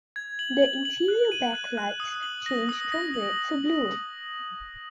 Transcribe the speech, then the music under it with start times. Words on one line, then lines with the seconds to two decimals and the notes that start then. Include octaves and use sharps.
The interior backlights changed from red to blue.
0.16 G#6
0.39 F#7
0.62 F#7
0.85 F#7
1.08 F#6
1.32 D#7
1.53 F#6
1.77 F#6
2.00 D#6
2.23 F#7
2.46 A#6
2.69 D#6
2.92 A#6
3.14 F#7